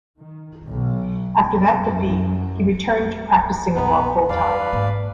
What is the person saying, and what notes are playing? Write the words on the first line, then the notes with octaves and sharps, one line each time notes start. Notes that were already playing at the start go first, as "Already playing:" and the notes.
After that defeat, he returned to practicing law full-time.
D#3
B1
B2
F#2
A#1 E2 B3 D#4
E2 G2 B4 D5 F5
G#2 A#3